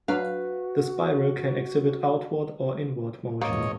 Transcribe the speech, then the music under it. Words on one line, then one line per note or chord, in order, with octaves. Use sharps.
The spiral can exhibit outward or inward motion.
F#3 D4 F#4 B4 F5
G#1 E2 A#3 C#5 D#5